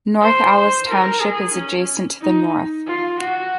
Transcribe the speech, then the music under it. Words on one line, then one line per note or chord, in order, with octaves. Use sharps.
North Allis Township is adjacent to the north.
C5
C5
A#4
G#4
C#4
D#4
F4
F#4